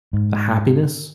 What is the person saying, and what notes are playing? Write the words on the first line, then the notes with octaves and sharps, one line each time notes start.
the happiness,
G#2